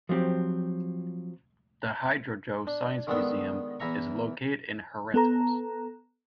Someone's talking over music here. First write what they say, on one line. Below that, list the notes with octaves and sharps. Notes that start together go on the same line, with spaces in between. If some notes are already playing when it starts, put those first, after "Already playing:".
The Hidrodoe science museum is located in Herentals.
F3 F#3 C4 G4
D4
D3 D#3 G#3 B3 D4 A4
E2 E3 E4 A#5 C#6
B3 A4 A#5